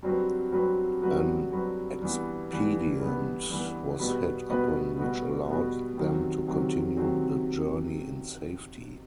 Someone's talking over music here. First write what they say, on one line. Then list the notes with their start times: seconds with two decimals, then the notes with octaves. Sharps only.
An expedient was hit upon which allowed them to continue the journey in safety.
0.03 G2 F#3 C4 F#4 B4
0.52 G2 F#3 C4 F#4 B4
1.02 G2 F#3 C4 F#4 B4
1.52 G2 F#3 C4 F#4 B4
2.02 G2 E3 B3
2.51 G2 E3 B3
3.00 G2 E3 B3
3.50 G2 E3 B3
3.99 B2 G3 B3 F#4 B4
4.49 B2 G3 B3 F#4 B4
4.99 B2 G3 B3 F#4 B4
5.48 B2 G3 B3 F#4 B4
5.98 C3 D#3 F#3 C4
6.47 C3 D#3 F#3 C4
6.97 C3 D#3 F#3 C4